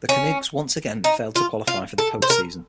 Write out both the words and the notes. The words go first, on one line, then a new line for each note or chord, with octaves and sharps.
The Canucks once again failed to qualify for the post-season.
C#4
D#4
F4
F4
A4
C5
A#4